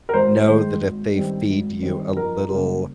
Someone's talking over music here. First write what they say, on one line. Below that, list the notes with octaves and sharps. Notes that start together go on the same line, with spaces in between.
know that if they feed you a little,
A#4
G#1 C5
G#2 D#3 G#3
G#1
G2 D#3 G3 C4
G#1
G2 D#3 G3 C4
F2 A#4
C#3 G3 A#3